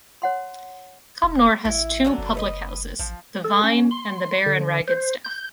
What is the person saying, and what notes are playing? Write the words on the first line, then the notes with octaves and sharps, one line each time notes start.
Cumnor has two public houses, the Vine and the Bear and Ragged Staff.
C#5 F#5 C6
E1
A1 E4
D3 F#3 D4
F#1
B4 C#5 D#5
A1 F3
A4
C#4
C6
D3
C5
G6